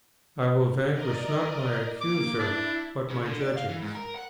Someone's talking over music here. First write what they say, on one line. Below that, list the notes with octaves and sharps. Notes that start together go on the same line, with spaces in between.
I will vanquish, not my Accuser, but my judges.
A#4 D5 D#5
A#3 D6
D4 E4
C#3
D3
D5
F5
E3
G#2
A#4
F#5